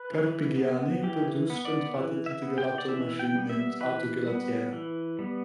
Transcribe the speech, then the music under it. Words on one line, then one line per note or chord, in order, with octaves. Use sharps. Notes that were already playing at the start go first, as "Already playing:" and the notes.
Carpigiani produced and patented a gelato machine, named "Autogelatiera".
Already playing: B4
E3
B3
E3 G4
B3
D5
E3
E5
B3
G5
D5
E3 E5
G5
G3 B3
E5
E3 B4
G3 B3
E3
G3 B3